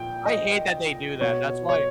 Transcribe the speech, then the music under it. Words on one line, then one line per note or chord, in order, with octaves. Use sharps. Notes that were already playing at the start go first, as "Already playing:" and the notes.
I hate that they do that, that's why
Already playing: A#2 G5
D#5
B2 C#5
C#5